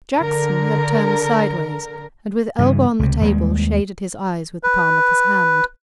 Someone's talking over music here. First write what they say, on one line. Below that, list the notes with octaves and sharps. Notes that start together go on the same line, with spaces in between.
Jackson had turned sideways, and with elbow on the table shaded his eyes with the palm of his hand.
D3 A#4
G2 C#3 E3
C#2 C3
D#2 G3 G#3
B4